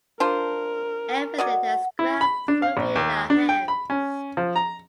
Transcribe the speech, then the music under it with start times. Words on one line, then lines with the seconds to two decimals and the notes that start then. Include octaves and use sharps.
Everything that's grabbed will be in our hands.
0.20 D4 F4 A#4 C5
1.38 F#3 D5 D#5 F#5
1.99 E4
2.21 B5
2.48 D4
2.62 F5
2.77 A#1
2.96 D#2
3.30 D4
3.49 G5
3.68 B5
3.90 C#4
4.37 F3
4.56 A#5